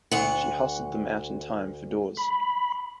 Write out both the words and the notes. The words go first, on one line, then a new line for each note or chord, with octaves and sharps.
She hustled them out in time for doors.
D2 F#5
B5